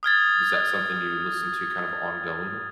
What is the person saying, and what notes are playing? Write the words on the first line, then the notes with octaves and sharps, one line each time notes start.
is that something you listen to kind of ongoing?
D#6 F6 G#6 A6